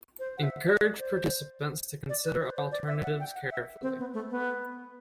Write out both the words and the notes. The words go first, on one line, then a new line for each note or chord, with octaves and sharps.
Encourage participants to consider alternatives carefully.
C5
F#5
E5
D5
D5
C5
D5
B4
C5
C5
D5
E5
F#5
G5
F#5
E5
C4
B3
A3
B3